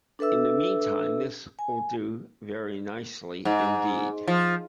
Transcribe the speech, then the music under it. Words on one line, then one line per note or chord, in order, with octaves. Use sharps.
In the meantime, this'll do very nicely indeed.
D4 A4 B4 E5 E6
G#5
G#2
F3